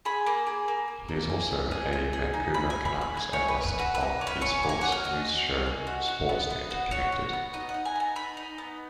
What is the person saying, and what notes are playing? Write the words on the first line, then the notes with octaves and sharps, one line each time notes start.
He is also a Vancouver Canucks analyst on the sports news show Sportsnet Connected.
G#4 B5
A#3
G#4
A#3
A#3
A#3
G#4
B3
G#4
G#4
G#4
D#4
G#4 B5
G#4 G#5
B5
C#4
B5
G#4 G#5
C#5
G#4
B4
C#4
B4
F#4 B4
B4
A#3
C#4
B4
C#4 C#5
A#3
G#5
C#4 F#5
F5
F#4 D#5
C#4
C#4
C#4
F#4
F#4
B3
B3
F#4
F#4 C#5
F#4
B3
D#4 D#5
F#5
D#4
G#5
B3 A#5
D#4 B5
D#4
B3